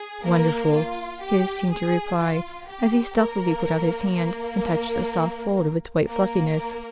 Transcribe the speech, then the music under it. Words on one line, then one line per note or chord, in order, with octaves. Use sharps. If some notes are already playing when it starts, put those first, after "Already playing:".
"Wonderful!" his seemed to reply, as he stealthily put out his hand and touched a soft fold of its white fluffiness.
Already playing: G#4
A#3 A#4
F4
G4
G#4
F4
G4
A#3 A#4
A#3 A#4
A#3 A#4